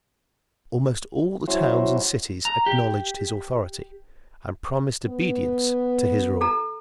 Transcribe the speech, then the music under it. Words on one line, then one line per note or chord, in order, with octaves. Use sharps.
Almost all the towns and cities acknowledged his authority, and promised obedience to his rule.
F#3 C#4 E4 F#4 C5
A#5
G4
B3
A4 A#5